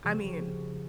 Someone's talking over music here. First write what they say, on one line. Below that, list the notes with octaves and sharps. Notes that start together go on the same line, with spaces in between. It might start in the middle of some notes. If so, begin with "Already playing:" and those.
I mean,
C#3 F3 C4 F#4 G4